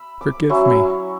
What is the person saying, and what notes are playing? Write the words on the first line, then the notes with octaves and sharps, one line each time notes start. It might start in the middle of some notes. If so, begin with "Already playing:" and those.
"Forgive me!"
Already playing: B5 E6
D6
F#3 C#4 E4 C#6